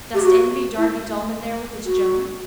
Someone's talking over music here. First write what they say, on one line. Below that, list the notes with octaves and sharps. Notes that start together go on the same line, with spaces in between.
Dost envy Darby Dullman there with his Joan?
G4
F#4
E4
F#4